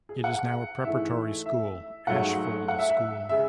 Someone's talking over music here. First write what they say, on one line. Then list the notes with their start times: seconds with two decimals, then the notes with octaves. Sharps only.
It is now a preparatory school, Ashfold School.
0.09 G#4
0.24 F#5
0.84 G#2 E3 A3 E5
1.46 E5
2.07 G#2 F#3 A3 F#5
2.68 F#5
2.79 E5
2.90 E5
3.29 C#3 G#3 E5